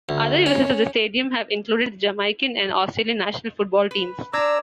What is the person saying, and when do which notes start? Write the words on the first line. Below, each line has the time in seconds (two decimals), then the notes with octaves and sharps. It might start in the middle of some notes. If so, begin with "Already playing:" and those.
Other users of the stadium have included the Jamaican and Australian national football teams.
0.09 D2
0.46 C#4
3.91 B4
4.33 D4 D5 A#5 D6 E6 G#6